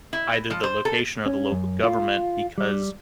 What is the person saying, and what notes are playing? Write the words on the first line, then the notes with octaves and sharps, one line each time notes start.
either the location or the local government, because,
E4
F3
C5
A4
C#4
F#2
F4
G3